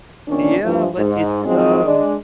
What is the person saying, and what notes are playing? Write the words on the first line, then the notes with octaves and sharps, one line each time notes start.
Yeah, but it's, um
E2 A#2 D#3 C#4 D4
G2 E3 F3
G#2
G#2 F3 F#3 G#3 C4 G#4
G#3 D4